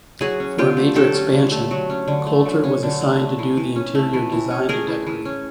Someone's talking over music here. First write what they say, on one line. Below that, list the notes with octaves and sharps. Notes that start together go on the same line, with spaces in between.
For a major expansion, Colter was assigned to do the interior design and decorating.
F#3 F#4 G#4
C#4
D3 F4 G4
A3
F#3 G4 A4
C#4
D3
A3
F#3
C#4
D3
A3
F#3
C#4
D3
A3
A3
E3
E3
C#4
A3
E3
E3
C#4
A3 G#4 A#4
E3
E3
C#4